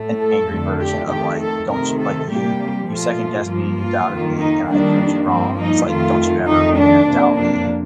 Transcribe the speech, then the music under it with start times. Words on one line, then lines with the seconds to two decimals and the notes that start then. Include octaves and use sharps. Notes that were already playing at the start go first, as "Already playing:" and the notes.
an angry version of like, "Don't you like you you second guessed me, you doubted me, and I proved you wrong." And it's like, "Don't you ever," you know, "doubt me."
Already playing: A2 A3
0.20 A4
0.49 F2 D3 A3
0.79 G4
1.09 F2 D#3 A3 G4
1.39 A4
1.69 C3 D#3 A3 A#4
1.99 A4
2.29 C3 G3 A#3 G4
2.88 A#2 F3 A3 F4
3.48 G2 F3 A#3
3.77 F4
4.07 F2 D#3 A#3
4.38 D#4
4.67 F2 D#3 G3 A#3 D4
5.27 G2 F3 A#3 C4
5.57 D#4
5.86 F2 D#3 A3 F4
6.46 F2 D#3 A3 D#4
6.76 D4
7.06 F2 C3 F3 A#3
7.36 D4